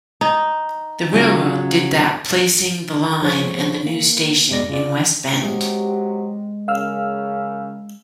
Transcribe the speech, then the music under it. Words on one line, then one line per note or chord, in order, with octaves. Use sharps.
The railroad did that placing the line and the new station in West Bend.
D#4
C#3 F#3 F4
G1 F3 G#4 C5 C#5 C#6
A#3
F2 G#3 G#4 D5 A#6
C#3 F4 D5
F#3 G#3 C4 G4
C#3 A#4 F5 E6 F6